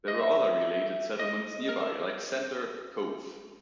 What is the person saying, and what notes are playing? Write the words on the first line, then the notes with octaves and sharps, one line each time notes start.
There were other related settlements nearby like Centre Cove.
D#5
E5
D#5
A#4
A4